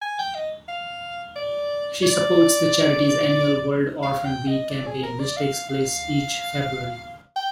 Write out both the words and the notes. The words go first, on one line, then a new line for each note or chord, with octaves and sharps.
She supports the charity's annual World Orphan Week campaign, which takes place each February.
G#5
G5
D#5
F5
D5
D5
F5
G5
D#5
D5
G#4
A#4
D5
F5
F5
G5